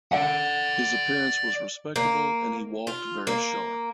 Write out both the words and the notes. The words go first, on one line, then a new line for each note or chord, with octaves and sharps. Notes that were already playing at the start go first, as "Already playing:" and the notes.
His appearance was respectable and he ""walked very sharp"".
D5 F#5
A#3
F4
A#3